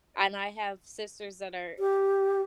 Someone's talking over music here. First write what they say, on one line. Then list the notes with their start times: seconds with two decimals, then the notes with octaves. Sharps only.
and I have sisters that are
1.79 G4